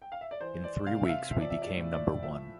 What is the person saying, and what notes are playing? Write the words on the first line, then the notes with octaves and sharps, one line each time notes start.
In three weeks, we became number one.
G5
F5
E5
D5
E3 C5
D5
C3 F5
E5
F5
F3 E5
D5
E5
D5
A2
D5
F3 E5